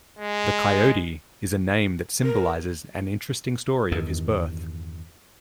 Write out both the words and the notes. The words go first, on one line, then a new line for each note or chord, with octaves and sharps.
The "Coyote" is a name that symbolizes an interesting story of his birth.
G#3
A#4
E2 G2 D#3